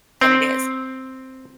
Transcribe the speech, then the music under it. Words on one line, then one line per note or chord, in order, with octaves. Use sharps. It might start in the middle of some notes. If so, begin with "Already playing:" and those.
than it is?"
C4